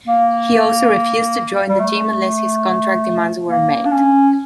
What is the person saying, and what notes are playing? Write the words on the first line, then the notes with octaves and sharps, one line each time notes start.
He also refused to join the team unless his contract demands were met.
A#3
G3
A3
A#3
D4
C#4